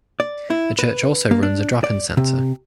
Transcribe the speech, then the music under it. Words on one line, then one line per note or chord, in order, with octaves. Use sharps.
The church also runs a drop-in centre.
D5
E4
B4
A#3
D4
D5
C3